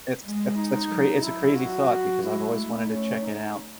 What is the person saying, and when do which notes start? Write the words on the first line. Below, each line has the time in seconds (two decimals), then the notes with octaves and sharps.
It's that's that's cra it's a crazy thought because I've always wanted to check it out.
0.24 G#3
0.56 D#4
0.89 F#3
1.23 F#3 E4
1.57 F#4
2.23 G#3 E4
2.56 A3
2.89 C#4
3.23 D#4